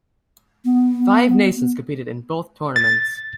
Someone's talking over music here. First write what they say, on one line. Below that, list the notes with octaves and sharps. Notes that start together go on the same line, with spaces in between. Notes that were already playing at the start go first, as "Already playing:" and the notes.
Five nations competed in both tournaments.
B3
A6